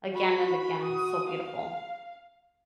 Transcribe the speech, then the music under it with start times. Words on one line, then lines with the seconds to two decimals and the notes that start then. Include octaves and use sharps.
again and again. it was so beautiful.
0.13 F#4 B5
0.81 F#4 D#6
1.30 F5